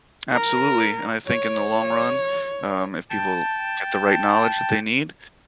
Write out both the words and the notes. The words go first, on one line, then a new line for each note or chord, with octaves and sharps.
Absolutely, and I think in the long run, um, if people get the right knowledge that they need,
A#4
C#5
G5 A5